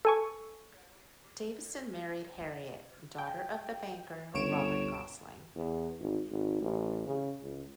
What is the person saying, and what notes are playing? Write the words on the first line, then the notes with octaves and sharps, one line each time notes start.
Davison married Harriett, daughter of the banker Robert Gosling.
A4 G#5 C#6
G5
G1 C#2 C#5 D7 E7
E2
G#1
G#1
A1
C#3
C#2